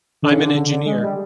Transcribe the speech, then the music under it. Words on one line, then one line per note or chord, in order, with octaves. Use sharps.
I’m an engineer.
D3
C#3
D3
D3
D3
G#3
G3